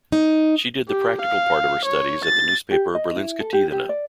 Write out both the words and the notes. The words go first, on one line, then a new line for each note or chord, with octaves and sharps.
She did the practical part of her studies at the newspaper "Berlingske Tidende".
D#4
G4
F5
C#5
A6
G4
D#5
E4
A4
G4
G4
D5